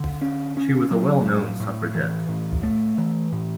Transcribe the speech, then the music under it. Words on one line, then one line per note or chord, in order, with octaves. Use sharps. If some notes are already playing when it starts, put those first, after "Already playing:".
She was a well-known suffragette.
Already playing: D3
C#4
C#4
F#3
A2
A2
E3
A2
A3
E3
A2